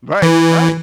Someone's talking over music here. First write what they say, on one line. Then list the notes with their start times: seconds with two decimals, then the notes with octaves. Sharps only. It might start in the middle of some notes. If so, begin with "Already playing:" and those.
Right. Right.
0.22 E3